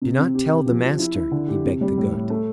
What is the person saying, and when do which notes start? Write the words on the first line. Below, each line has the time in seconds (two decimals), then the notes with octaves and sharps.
"Do not tell the master," he begged the Goat.
0.02 C3
0.18 C4
0.34 G4
0.50 G4
0.66 F3
0.83 F3
0.99 E4
1.16 E4
1.31 D3
1.48 G4
1.65 C3
1.81 G3
1.97 A2
2.13 A2
2.30 A3